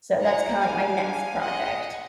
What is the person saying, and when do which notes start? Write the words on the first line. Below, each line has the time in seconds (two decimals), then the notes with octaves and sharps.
So that's kinda, like, my next project.
0.21 D4 F4 G#4 F#5 A#5
0.61 A#3 D#4 G#4 F5 G#5
1.01 D4 F4 G#4
1.41 D4 F4 G#4 D#5 F#5